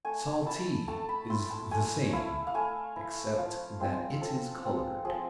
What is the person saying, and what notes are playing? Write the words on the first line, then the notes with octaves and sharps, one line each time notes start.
Saltee is the same, except that it is colored.
A3 G#5
E4 A5
A3 A5
B5
E4 C6
A5
A3 G#5
E4 F5
F5
A3 G#5
E4
F3 F5
G#3 C4 F4
F3 A4
G#3 C4 F4
F3 G#4